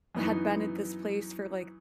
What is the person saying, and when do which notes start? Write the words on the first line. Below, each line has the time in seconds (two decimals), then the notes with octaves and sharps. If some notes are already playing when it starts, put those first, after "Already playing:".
had been at this place for like
0.15 F#2 E3 B3 D#4